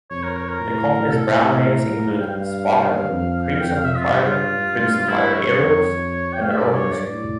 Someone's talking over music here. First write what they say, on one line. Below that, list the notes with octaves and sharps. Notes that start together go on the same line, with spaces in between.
The company's brand names include "Spartan", "Crimson Fire", "Crimson Fire Aerials", and "Road Rescue".
F2 C#5
A#4
C#5
A#4
A2
A4
C#5
A#4
A4
A#4
G2 F5
G5
F5
F2
F2 G5
F5
E5
F4
G2 F4
E4
F4
G2
E4
C#5
F2
G5
F5
E5
G2 D5
C#5
D5
A2